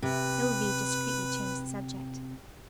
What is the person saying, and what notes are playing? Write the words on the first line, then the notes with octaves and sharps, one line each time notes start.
Sylvie discreetly changed the subject.
C3 B4